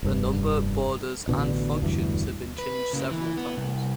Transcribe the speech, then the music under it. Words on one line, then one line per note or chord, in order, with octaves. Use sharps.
Their number, borders and functions have been changed several times.
F1 G2
A1 B2 D3
E1 D2 G2 E3
B4
C#3 A#3
E3
B3
C2